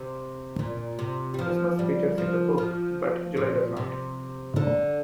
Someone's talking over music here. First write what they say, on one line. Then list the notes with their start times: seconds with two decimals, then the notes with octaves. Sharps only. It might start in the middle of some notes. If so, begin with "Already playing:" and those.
Christmas features in the book, but July does not.
Already playing: C3
0.59 A#2
0.99 C3
1.34 G3
1.39 F3
1.79 G3
2.18 F3
2.58 F3
3.37 A#2
3.77 C3
4.56 D3